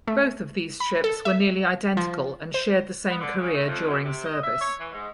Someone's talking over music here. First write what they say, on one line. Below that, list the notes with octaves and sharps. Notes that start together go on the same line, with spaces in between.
Both of these ships were nearly identical and shared the same career during service.
A3
B5
A4
E5
F3
C5
B3
D3
C#3
A3
F2
F#2
C3
D#5
E5
C#5
E3
G#2